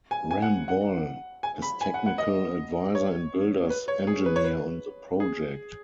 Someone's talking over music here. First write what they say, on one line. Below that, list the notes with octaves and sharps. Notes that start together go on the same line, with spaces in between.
Ramboll is technical advisor and builder's engineer on the project.
G#5
G#5
F#5
F#5
G#5
B5
G#5
F#5
F#5
D#5
C#5
B4
C#5
G#4
B4
C#5
B4
G#4